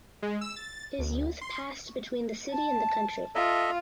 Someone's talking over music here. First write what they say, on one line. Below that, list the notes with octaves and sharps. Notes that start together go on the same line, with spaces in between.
His youth passed between the city and the country.
G#3
E6
A6
D2
C6
A5
F4 A4 D#5 E5